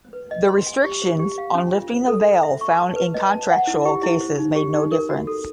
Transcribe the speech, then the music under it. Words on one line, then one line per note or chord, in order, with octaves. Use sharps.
The restrictions on lifting the veil, found in contractual cases made no difference.
B4
D#5
C6
G#5
G4
C5
G4
F5
C#4
F4
C5
A4
C5
E5
C#6
A5
B4
D#5
A5
F#5
E4
G4
E4
C5
D#4
G4
D#4
A#4
F#4
A4